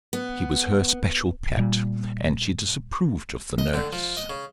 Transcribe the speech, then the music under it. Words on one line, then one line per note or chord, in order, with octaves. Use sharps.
He was her special pet, and she disapproved of the nurse.
B3
A#2 G3
D#5
D3
F3
D#5
C#3